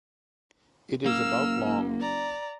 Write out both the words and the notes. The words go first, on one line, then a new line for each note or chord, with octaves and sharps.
It is about long.
F#1 A#3 E6 F6
D5 A#5